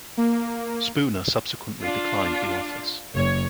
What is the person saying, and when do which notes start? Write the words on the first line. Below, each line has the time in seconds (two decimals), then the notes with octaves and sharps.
Spooner subsequently declined the office.
0.17 A#3
1.81 D4 F4
3.14 F#1 C#5